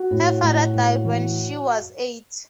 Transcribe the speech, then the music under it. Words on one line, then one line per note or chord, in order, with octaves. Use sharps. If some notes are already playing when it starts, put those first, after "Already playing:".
Her father died when she was eight.
Already playing: F#4
A2
A2
A2
E3